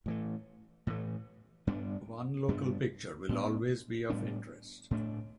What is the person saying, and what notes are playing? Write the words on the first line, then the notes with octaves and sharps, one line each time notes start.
One local picture will always be of interest.
A2 E3 A3
A2 E3 A3
G2 G3 B3 D4
G2 G3 B3 D4
A2 G3 B3 D4
A2 G3 B3 D4
A2 A3 D4